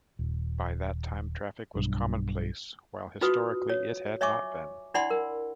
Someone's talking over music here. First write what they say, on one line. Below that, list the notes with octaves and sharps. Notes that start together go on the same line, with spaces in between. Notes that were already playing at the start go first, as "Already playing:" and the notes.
By that time, traffic was commonplace while historically it had not been.
D#1
B1 G2
D#4 F4 F#4 B4 D#6
C#5
C#5 D#5 E5 G#5 C#6 D6
D4 E4 D5 F#5 B5 C6
A#4